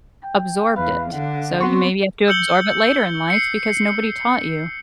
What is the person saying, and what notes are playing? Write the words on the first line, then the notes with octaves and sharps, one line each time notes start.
absorbed it? So you maybe have to absorb it later in life because nobody taught you.
G5
E2 B4 F5
D3 F#5
B3 C4 F#4 C6 C#6
E6 G6 C#7 F#7 G7
C7 C#7